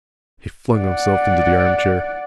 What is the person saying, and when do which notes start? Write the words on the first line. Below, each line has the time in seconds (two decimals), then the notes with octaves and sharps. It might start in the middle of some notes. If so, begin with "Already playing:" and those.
He flung himself into the armchair.
0.76 D5 F#5